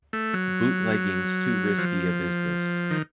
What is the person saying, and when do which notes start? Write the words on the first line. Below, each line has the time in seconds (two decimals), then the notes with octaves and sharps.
Bootlegging's too risky a business.
0.13 A3
0.34 F#3
1.78 F3
2.91 D#3